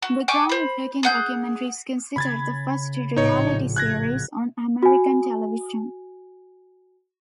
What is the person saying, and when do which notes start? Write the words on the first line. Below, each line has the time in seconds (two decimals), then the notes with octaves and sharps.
The groundbreaking documentary is considered the first "reality" series on American television.
0.02 F#4
0.28 G5 G#5 C#6 D6
0.49 C5 B5
1.03 G#4 F#5 G6
2.16 C#3 B5 G#6 A6
3.16 A#1 A2 D#4 C#5
3.76 F#6 G#6 A#6
4.83 F#4 G#5